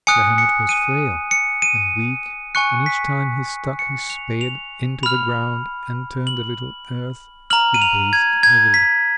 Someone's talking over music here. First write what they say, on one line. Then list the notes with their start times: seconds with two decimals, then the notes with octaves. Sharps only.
The hermit was frail and weak, and each time he stuck his spade into the ground and turned a little earth, he breathed heavily.
0.07 G#5 D#6 F#6 C#7
0.38 C#7
0.69 D#7
1.31 C#7
1.62 D#7
2.55 G#5 C#6 F#6 C#7
2.86 B6
3.79 C#7
4.10 F7
4.41 F7
5.03 B5 F6 F7
6.27 F#7
7.50 A#5 F6 F#7
7.74 D#7
7.82 F7
8.13 G#6
8.43 G#6
8.74 B6